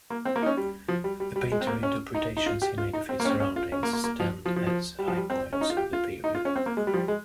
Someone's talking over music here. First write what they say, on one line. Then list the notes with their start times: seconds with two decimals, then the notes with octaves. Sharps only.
The painterly interpretations he made of his surroundings stand as highpoints of the period.
0.10 A#3
0.25 C4
0.36 A#3
0.43 D#4
0.46 C#4
0.57 G3
0.88 F3
1.04 G3
1.20 G3
1.36 G3
1.52 G#3
1.61 C4
1.67 A#3
1.83 C#4
2.15 D#4
2.37 D#4
2.46 F4
2.62 G4
2.78 F4
2.93 D#4
3.09 C4
3.20 A#3
3.25 C#4
3.30 C4
3.40 C#4
3.56 F4
3.72 C#4
3.83 A#3
3.93 A#3
4.04 A#3
4.20 F3
4.46 F3
4.56 F3
4.67 F3
4.99 G3
5.08 F3
5.17 G3
5.30 C4
5.53 C#4
5.61 D#4
5.70 F4
5.77 G4
5.93 F4
6.24 D#4
6.35 F4
6.45 C#4
6.56 C4
6.66 A#3
6.77 G#3
6.87 G3
6.94 F3
6.98 G3
7.08 G#3